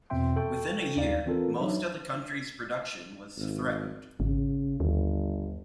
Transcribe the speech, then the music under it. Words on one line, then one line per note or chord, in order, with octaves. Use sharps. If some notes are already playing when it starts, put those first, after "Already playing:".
Within a year, most of the country's production was threatened.
E2 B2 C4 E5 G5 C6
A4 G5 C#6
D#2 D#4 D5 F5
E3 C4 F4 A4 A#4
F#3 D4 D#4 C#5 E5
G#1
G#1 C#3
G1 D#2